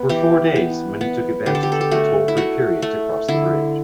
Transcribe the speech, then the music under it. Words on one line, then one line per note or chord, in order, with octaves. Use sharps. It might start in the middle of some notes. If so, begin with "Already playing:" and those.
For four days, many took advantage of the toll-free period to cross the bridge.
Already playing: B3
E3 G4
B3
B3
D3 G4
A4
G4
A4
G4
A3 F#4
E4
A3 F#4
A3
D3 E4